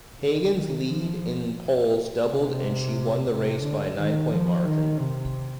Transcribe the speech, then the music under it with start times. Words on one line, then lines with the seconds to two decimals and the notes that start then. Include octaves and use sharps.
Hagan's lead in polls doubled and she won the race by a nine-point margin.
0.21 D3
0.55 D#3
0.89 F3
2.26 C3
3.28 C3
3.62 D3
3.97 D#3
4.31 F3
4.65 D#3
4.99 C3